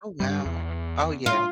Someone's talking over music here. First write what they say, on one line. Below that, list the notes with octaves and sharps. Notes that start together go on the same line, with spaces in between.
Oh, wow. Oh, yeah.
G2 G3
E2
F4